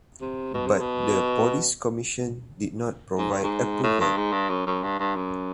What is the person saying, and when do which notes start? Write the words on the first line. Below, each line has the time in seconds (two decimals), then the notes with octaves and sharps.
But the Police Commission did not provide approval.
0.21 C3
0.54 B2
0.66 C3
0.80 B2
3.18 G#2
3.31 G2
3.43 G#2
3.83 A2
4.01 G2
4.17 G#2
4.32 G2
4.49 F#2
4.66 F#2
4.83 G2
4.99 G2
5.16 F#2